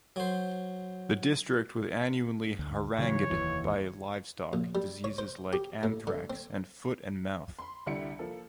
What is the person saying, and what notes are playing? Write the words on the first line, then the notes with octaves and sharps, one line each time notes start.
The district with annually harangued by livestock diseases like anthrax and foot and mouth.
F#3 C5
D2
C#3 E3 F#3 C#5
F1 D#2 E3
A#1
G3
C#5
C5
G4
A2
D3
C4
B5 C6
C2 D3 G3 E4 C#7
F3 A#3 A4